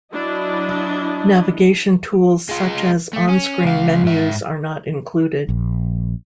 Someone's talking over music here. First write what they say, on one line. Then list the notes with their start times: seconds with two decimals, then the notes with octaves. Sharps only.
Navigation tools such as on-screen menus are not included.
0.13 F#3 D4 E4 D#5
2.49 G#3 F4
3.13 A3
3.29 C#4
3.64 C#2 F5
4.03 G#2 E5
5.49 A#1